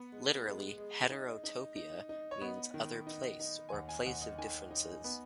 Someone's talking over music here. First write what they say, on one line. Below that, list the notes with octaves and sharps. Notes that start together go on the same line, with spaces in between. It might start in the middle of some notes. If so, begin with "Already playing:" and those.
Literally, heterotopia means "other place" or "a place of differences".
Already playing: B3 F#5
G#3
G#3
G#3
D#4 D#5
D#4
D#4
D#4
C#5
B3 D#5
D#3
D#4
D#4
G#5
D#2 F#5
G#5
D#5
D#2 F#5
D#5
D#3 G#5
D#4
B3